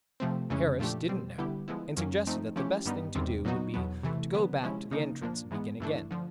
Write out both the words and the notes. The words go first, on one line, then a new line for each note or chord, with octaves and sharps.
Harris didn't know, and suggested that the best thing to do would be to go back to the entrance, and begin again.
C3 F3 A3 C4
F2 C#3 E3 G#3 C#4
A#2 F3 A3 D4 G4
B2 G3 C4
D3 G3 B3 E4 G4
F3 G#3 B3 E4
F#2 D#3 F#3 A#3 C#4
F3 A3 C4 D#4
F3 A3 C#4 E4 G4
G2 D#3 G3 B3 D#4
E2 C3 D#3 G3 C4
A#2 F#3 B3 D#4 F#4
E2 B2 F#3 B3
C3 E3 A3
D3 F#3 B3
C3 F3 G#3 C#4 E4
C#3 F3 A#3 D#4
A#2 F3 A#3 D4
G#2 E3 G#3 B3
G2 E3 A3 D4
D3 F3